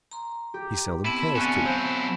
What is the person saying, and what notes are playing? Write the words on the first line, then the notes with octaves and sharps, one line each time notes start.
He seldom cares to.
A#5 C6
G4
B3 C4 E4 A5
D2 C#4 G#5 F#6 A6
F#3 E4 C5 F5